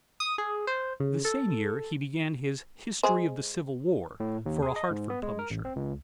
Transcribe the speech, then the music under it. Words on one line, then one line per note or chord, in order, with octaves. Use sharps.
The same year he began his "History of the Civil War" for a Hartford publisher.
D#6
G#4
C5
C#3
A4
G#3 G#4 C5
A2
D#2
G#4
D#5
G#2
B3
G#3
A#4
A1
C4
C#2